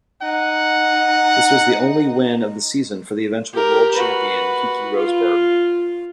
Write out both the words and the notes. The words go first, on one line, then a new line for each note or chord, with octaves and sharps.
This was the only win of the season for eventual World Champion Keke Rosberg.
D#4 F#5
G4 A#4
F#4 B4
F4